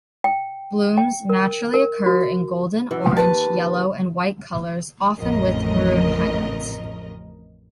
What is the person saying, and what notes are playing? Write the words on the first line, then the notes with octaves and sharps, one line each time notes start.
Blooms naturally occur in golden, orange, yellow, and white colors, often with maroon highlights.
G5
G5
A#4
A#4
F#4
F#2 E3
D#2 C3 B4 A5
A1 F2 A2 C#3 A#4 D#5